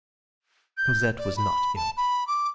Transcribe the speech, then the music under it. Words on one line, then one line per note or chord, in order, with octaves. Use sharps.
Cosette was not ill.
G6
D5
B5
A5
B5
D6